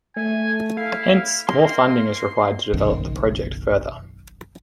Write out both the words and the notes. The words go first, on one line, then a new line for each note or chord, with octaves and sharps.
Hence, more funding is required to develop the project further.
A3 G#5
E4 F5
A#3 C6
F#1 B1 F#2 D#3